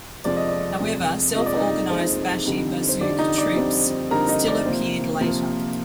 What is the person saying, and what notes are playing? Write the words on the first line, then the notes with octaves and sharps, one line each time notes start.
However, self-organized bashi-bazouk troops still appeared later.
F2 C3 F3 G#3 D5
D#5
D5
F2 C3 F3 G#3
F2 C3 F3 G#3 D#5
D5
D#4 D#5
F2 C3 F3 G#3 C5
F2 D3 G3 C4 D#4
C5
F2 D3 G3 C4 D#4 D5
D#4 D#5
D5
F2 D3 G3 C4 D#4
F2 D3 G3 C4 D#4 A#4 A#5
D#4 D#5
D5
C3 F3 A#3 C5
C3 F3 A#3